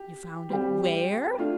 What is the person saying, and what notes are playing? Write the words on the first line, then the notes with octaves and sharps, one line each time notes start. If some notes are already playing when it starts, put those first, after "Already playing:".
"You found it--WHERE?"
Already playing: G4
G3 C4 G4
A3 D4 F4